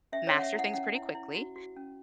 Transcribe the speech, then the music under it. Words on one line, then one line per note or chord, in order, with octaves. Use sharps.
master things pretty quickly,
C#4 E5
C#5
C#4
F#5
E5
E4
F#5
C#4 F#5
E4
E4
F#4
F#4
C#4